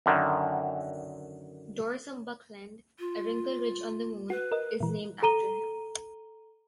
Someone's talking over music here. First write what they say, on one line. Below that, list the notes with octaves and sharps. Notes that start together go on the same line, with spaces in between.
Dorsum Buckland, a wrinkle ridge on the Moon, is named after him.
F#2 D3 D#3
F4
F#4 B4
A#4 D#5
A#2 E3
A4 A#5 D#7 G7